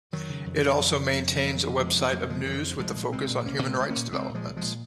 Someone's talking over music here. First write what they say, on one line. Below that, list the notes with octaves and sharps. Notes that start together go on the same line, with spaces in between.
It also maintains a website of news with a focus on human rights developments.
F2 D#3 F#3
C#3
F2
C#3
F2
C#3
F2
C#3
F2 D#3 F#3
C#3
F2 F3 G#3
C#3
F2 F#3 A#3
C#3 F3 G#3
F2 D#3 F#3
C#3 F3
C2 F3 G#3
A#2
C2 G#3 C4
A#2
C2 A#3 C#4
A#2
G#3 C4
C2
A#3 C#4
A#2
C2 G#3 C4
A#2
F3 G#3
C2
F3 G#3
A#2